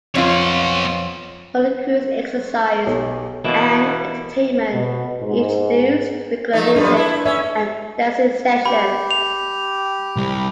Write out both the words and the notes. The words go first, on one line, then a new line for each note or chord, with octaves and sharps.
For the crew's exercise and entertainment, he introduced regular music and dancing sessions.
F2 B3 F4 C#5
B1 G4 A4 C#5
B2 E3 A#3 E4 D#5
B2
G#2
F3 A3 D#4
F#2 F3 D4 B4
E4
C#4 E5
G4 B5
F7
C2 G3